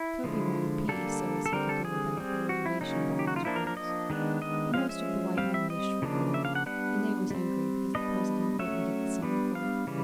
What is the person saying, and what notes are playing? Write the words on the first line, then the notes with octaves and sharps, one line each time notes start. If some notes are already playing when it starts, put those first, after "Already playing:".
Toby wanted peace so as he could go about the Reservation buying his oils. But most of the white men wished for war, and they was angry because the President wouldn't give the sign for it.
Already playing: E4
D3 F3 G#3
D3 G3 A#3 D4 A4
A4
D3 G3 C4 A#4
A4
G#4
G3 C4
F#4
E4
C#3 F#3 A#3 C#4 D#4
G4
F#4
F4
F3 A#3 D4 E4
A#4
A#4
D#5
D#3 G#3 B3 D4
D#5
F3 G#3 C#4 F5
E5
G3 C4 F5
E5
D#5
C#3 F3 A#3 D4
E5
F5
F#5
G3 B3 D4 F#5
G3 C4
G3 B3 D4 D#5
F#3 A3 C#4 E5
G3 B3 D4
F5
C#3 E3 G3